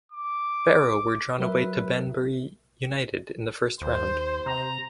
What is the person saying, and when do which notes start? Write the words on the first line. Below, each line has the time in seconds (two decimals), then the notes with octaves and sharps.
Barrow were drawn away to Banbury United in the first round.
0.12 D6
1.39 F#3 A#4 B4 E5
3.81 D#2 C5
4.46 C3 A#5